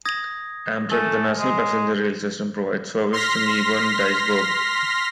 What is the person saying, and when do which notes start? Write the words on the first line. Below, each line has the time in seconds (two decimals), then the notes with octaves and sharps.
Amtrak, the national passenger rail system, provides service to Newbern-Dyersburg.
0.05 D#6 G#6 A#6
0.91 A3 G#5
1.39 G#3
3.13 C6 F6 A#6 B6